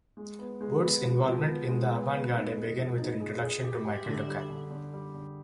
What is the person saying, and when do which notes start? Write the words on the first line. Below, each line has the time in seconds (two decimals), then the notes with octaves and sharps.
Wood's involvement in the Avant Garde began with her introduction to Marcel Duchamp.
0.17 G#3
0.39 B3
0.61 G#3
0.82 B3
1.03 F3
1.25 F3
1.47 B3
1.68 G#3
1.91 B3
2.11 B3
2.34 D#4
2.55 G#4
2.77 F3
2.98 D#4
3.20 G#4
3.42 G#4
3.64 G4
3.85 G4
4.06 D3
4.27 G3
4.50 D3
4.71 D3
4.93 G3
5.14 D3